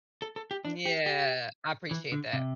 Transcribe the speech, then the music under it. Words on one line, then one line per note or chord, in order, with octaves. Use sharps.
Yeah. I appreciate that.
A4
A4
G4
D4
G4
G4
E3
D3
C3